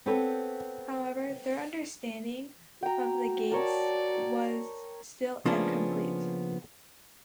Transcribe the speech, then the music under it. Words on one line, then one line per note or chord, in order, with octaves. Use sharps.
However, their understanding of the gates was still incomplete.
B3 C4 G4 A4 B4 C#5
F#4 G5 A#5
A#4 C#5 D5 A5
C#3 F3 A#3 B3 C#4 D4